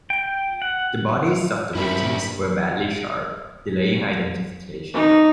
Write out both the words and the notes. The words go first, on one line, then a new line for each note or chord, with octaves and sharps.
The bodies of the victims were badly charred, delaying identification.
G5
F#5
G2 E4 A#4 C5 B5
D#4